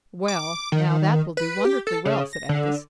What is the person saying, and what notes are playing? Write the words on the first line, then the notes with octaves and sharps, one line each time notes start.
"Well, now that will do wonderfully well," said Athos.
D6
D#3
B4
G4
A4
C#3
A#6
D3